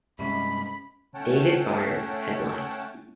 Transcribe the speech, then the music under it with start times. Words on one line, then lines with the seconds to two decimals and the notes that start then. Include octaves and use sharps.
David Byrne headlined.
0.19 G2 C3 G#3 C#4 D#5 E5 B5
1.15 A3 C#4 C#5 F#5 G5 A5